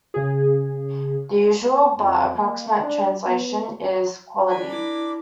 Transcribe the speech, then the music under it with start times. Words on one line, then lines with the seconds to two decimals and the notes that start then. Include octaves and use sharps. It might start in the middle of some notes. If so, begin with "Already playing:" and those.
The usual, but approximate translation is "quality".
0.14 C#3 G#4
1.98 F2
2.35 A#3
2.80 D4
3.27 B3
4.49 D4 A#4 G#5 B5
4.70 E4 D6